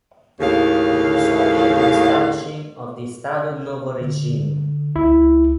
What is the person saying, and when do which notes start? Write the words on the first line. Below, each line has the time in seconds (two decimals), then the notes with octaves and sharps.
It resulted in the establishing of the Estado Novo regime.
0.40 D#2 A2 C#3 F5
4.01 D3
4.96 C#2 E4
5.13 C#2